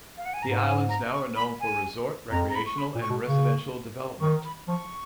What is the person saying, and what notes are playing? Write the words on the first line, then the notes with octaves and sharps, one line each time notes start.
The islands now are known for resort, recreational, and residential development.
F5
F#5
G#5
G#2 A#5
G#5
A#5
C#6
B5
G#5
F2 A#5
A#5
B5
C#6
B5
A#2
C#6
B2
C#3 C#6
D#3 C#6
B5
F3 C#6